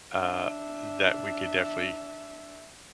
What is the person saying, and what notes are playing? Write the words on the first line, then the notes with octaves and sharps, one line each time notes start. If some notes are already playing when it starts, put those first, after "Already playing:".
uh, that we could definitely
D4 E5